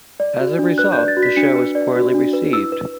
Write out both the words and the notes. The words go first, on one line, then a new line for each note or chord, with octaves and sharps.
As a result, the show was poorly received.
D5
F#4
D4
B4 F#6
G6
D5
A6
F#4
B6
D4 C#7
B4
D5
F#4
D4
B4
E4 E6
B4